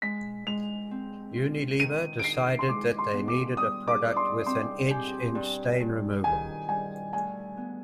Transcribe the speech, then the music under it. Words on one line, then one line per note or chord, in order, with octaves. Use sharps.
Unilever decided that they needed a product with an edge in stain removal.
G#3 B6
G#3 F7
C4
F4
D#3 D#7
D7
D#4 C7
C6
G#3 D6
C6
B3
D6
G3 D#6
D6
D5
C6
C4 C6
G4 G#5
G2
G2
D#3 G#5
G3 G#5
D2 G#5
B3